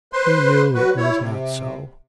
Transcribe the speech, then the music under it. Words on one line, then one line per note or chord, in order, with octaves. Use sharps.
He knew it was not so.
B4 C5 C6
F#3 F#4 B4
E4 C#5
C3